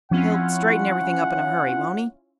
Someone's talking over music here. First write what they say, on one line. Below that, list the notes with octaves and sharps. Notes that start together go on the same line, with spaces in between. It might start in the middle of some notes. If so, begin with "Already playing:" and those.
"He'll straighten everything up in a hurry, won't he?"
F3 C4 C#4 E4 F4 F#5